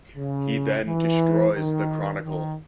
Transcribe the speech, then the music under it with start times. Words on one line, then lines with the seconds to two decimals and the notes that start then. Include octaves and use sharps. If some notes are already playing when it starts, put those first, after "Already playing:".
He then destroys the Chronicle.
0.15 C#3
0.85 E3
1.54 D#3
2.23 D#3